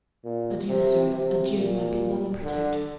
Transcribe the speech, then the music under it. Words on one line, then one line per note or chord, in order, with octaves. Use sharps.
"Adieu, sir, adieu, my beloved protector."
A#2
C3
C3
A#2
D3